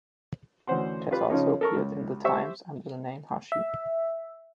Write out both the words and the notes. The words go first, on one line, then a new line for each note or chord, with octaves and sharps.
It has also appeared in "The Times" under the name "Hashi".
D2 E3 C#4 C5 F#5 C6
F4 G4 B4 B5
C#3 F3 C#4 D#4
A4 A#4 C#6
C#2
G4 C5 E5 C#6 E6
E5